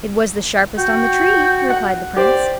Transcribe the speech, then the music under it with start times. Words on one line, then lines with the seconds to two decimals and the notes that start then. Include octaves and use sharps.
"It was the sharpest on the tree," replied the Prince.
0.78 F#4 G5
1.70 F#5
2.17 G4 C5 D5